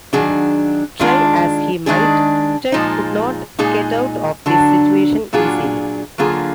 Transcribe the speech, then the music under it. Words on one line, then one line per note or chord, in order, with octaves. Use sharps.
Try as he might Ted could not get out of this situation easily.
D#3 F#3 D4 G#4
D#3 G#3 D4 F4
D#3 G#3 D4 G#4
A#2 F3 G#3 D#4
A#2 G#3 D#4 G#4
D3 F#3 D4
A#2 F#3 D4 F4 G#4
D3 F#3 A#3 F4 G#4